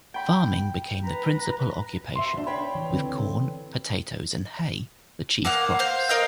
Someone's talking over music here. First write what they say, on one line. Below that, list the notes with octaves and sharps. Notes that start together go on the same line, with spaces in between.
Farming became the principal occupation, with corn, potatoes and hay the chief crops.
G5 B5
B4 A#5
E5 C6
D2 D4
C#5 G5 B5
E3
D3 C4
A#3 F5 F#5
C5 F5
A#4 D#5 F5